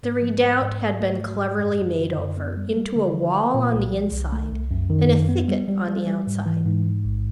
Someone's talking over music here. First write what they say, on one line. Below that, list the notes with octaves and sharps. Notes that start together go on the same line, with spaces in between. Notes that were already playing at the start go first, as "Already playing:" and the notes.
The redoubt had been cleverly made over, into a wall on the inside and a thicket on the outside.
G#2
F3
G#2
G#2
G#2
A3
G#2
G#2
F#2
F#2
D3
F#2
B3
G3
G3
D3
F3
F3
A#2
C2
F3
C2
A3
C2
F#2
D#3
F#2
B3
G3
G3
G3
G3
G#2
E3
G#2
G#2
A1